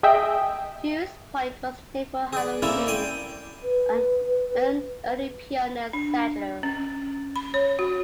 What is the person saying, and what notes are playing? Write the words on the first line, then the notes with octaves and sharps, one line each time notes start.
Hewes Point was named for Paola Hewes, an early pioneer settler.
G#4 D#5 E5 G5
G#4 D5
A#3 C4 C#4 E4 A4 D5
D5 G5 G#5
B4
D4
C#4
B5
C#5
F#4